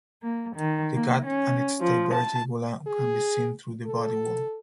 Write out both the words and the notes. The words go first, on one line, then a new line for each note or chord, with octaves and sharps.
The gut and its diverticula can be seen through the body wall.
A#3
D#3
A#3
C#4
F3
A5
G#4
A4